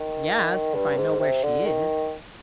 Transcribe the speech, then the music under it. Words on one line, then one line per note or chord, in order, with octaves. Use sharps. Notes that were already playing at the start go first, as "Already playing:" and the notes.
"Yes, if I know where she is!"
Already playing: D#3
G2
G#2
C3
D3
D#3